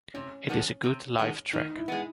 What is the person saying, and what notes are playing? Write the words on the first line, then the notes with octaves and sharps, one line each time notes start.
It is a good live track.
C3 C#4
D#3 G#3 B3 D4
C3
D#3 G#3 B3 D4
D#3 D#4
E4
G#3 B3